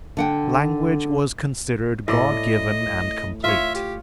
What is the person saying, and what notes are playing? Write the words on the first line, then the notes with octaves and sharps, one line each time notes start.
Language was considered God-given and complete.
D3 F#5 G5
A2 D5 D#5
F4 C#5 E5
G4